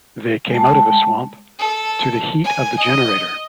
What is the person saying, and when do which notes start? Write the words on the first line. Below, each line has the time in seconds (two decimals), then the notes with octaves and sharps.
They came out of the swamp to the heat of the generator.
0.50 G#3 G5 A5
1.59 A4
2.44 G#5
2.78 D#5